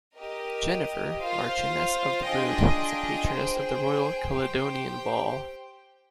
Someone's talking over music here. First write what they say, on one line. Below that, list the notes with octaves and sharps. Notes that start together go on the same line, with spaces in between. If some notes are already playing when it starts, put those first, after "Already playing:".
Jennifer, Marchioness of Bute, is a Patroness of the Royal Caledonian Ball.
G4 A#4 D#5
F4 C5 F5
D4 F4 G#4 D#5 G5
G#4 C5 G5
G4 C5 G5